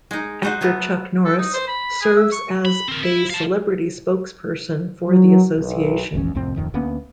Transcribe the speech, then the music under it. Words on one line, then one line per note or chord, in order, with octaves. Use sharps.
Actor Chuck Norris serves as a celebrity spokesperson for the association.
G#3 D#4
D#4 F#4 C5
F#3 A3 B3
A4
D#4
C5
B5
G#4
E5
C#6
B5
C4 A#4
E4
F5 A5
F#3
B1
E1 A1 E2 C#4
C2 F2 A2 C4
D#1 F2 D#3
D2 A#3 B3 C#4